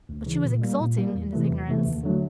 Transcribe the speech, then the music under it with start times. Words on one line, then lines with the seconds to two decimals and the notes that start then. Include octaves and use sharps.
But she was exulting in his ignorance.
0.09 D2
0.26 C#3 E3
0.44 A#2
0.62 G3 A#3
0.80 A#2
0.98 G3 A#3
1.15 E2
1.33 C3 E3 A3
1.51 E2
1.69 C3 E3 A3
1.86 D#2
2.03 D3 F#3 A3